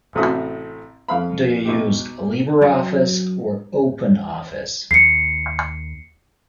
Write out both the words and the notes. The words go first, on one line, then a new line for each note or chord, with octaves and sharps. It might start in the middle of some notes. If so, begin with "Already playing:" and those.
Do you use LibreOffice or OpenOffice?
A1 A2 C3 A3 F#4 D#6
F2 F5 B5
B2 D#4 G4
F#2 F#3
D#2 C7 C#7